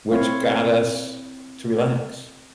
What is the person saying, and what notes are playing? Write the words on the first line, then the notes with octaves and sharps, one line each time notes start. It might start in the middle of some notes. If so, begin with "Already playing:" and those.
which got us to relax,
C4 E4 C#5 F5